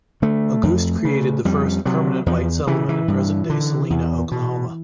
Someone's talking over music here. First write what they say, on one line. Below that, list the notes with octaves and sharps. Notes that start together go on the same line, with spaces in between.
Auguste created the first permanent white settlement in present-day Salina, Oklahoma.
D3 A3
F2
C#3
F2 G3
C3 F#3
E2 F3
C#3 E3
E3
G2
D3
E2
B2